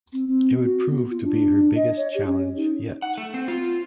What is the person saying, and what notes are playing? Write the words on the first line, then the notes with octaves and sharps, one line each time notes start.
It would prove to be her biggest challenge yet.
C4
C4
F#4
B3
F4
D4
D#5
C#5
G4
C#4
D#4
F#5
A3
C4
F4